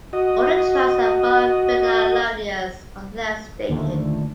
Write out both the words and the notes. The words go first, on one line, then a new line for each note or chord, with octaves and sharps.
All the tracks are from Bernard Lavilliers, unless stated.
F#4 D#5
D#2 A#2 D3 D#3 A3